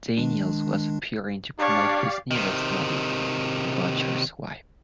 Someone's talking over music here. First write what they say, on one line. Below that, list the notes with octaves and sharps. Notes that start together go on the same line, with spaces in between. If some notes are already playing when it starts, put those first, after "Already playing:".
Daniels was appearing to promote his newest movie, "The Butcher's Wife".
D#3 G#3 D4
D4 G4 C#5 D5 F5
C3 D#3